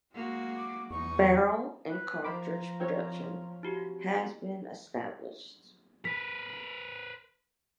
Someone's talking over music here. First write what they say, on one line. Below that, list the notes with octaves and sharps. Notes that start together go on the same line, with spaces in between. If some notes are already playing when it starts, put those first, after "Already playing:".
Barrel and cartridge production has been established.
G#3 A#3 F#4
D6
E2 D#4 C#6
B4
F3 C5 A#5 B5 D6
C4 C#5
E4 F#4 G4
A#4 B4 B6